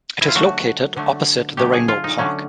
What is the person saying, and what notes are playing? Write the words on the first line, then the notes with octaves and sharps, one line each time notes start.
It is located opposite the Rainbow Park.
E4
F4
D3 F#3 A3 F#4
D3 F#3 A3
D3 F#3 A3 G4
G#4
F4
D#4
D3 F#3 A3 C#4